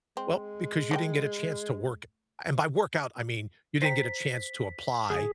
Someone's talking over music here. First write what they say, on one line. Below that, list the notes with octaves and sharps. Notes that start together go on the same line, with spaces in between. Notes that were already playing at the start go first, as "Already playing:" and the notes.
well, because you didn't get a chance to work and by workout, I mean, you didn't get a chance to apply
G#3 C4
A3 C#5 G5
C5 G5 A#5 B6
D2 G#4